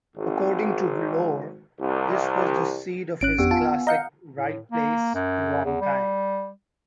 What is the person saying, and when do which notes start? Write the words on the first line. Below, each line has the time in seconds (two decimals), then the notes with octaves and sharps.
According to lore, this was the seed of his classic, Right Place, Wrong Time.
0.17 G#1
1.81 C2
3.21 G#1 C#4 F#6 D7
3.39 F2 B3 D4 G4
3.51 F4 G#5 A5
3.87 D#5 F5 F#5 A#5 G6 C#7
4.38 A2
4.72 A#3
5.15 F#2
5.65 E2
5.81 G3